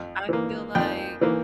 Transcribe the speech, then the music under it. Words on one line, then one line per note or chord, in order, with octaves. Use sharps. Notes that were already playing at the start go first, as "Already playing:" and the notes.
I feel like
Already playing: F2
E3 A#3
F2 G5
E3 A#3